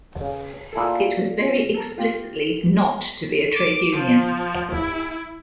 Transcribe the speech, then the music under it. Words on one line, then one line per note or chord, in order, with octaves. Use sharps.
It was very explicitly not to be a Trade Union.
C#3
A#2 E4 G#4 A4
A4 A#4
F4 G4
D6
F3
E4